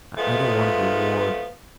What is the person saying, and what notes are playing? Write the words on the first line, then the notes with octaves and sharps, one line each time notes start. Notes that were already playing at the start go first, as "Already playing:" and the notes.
I don't want a reward...
A#2 F3 G#3 A3 B3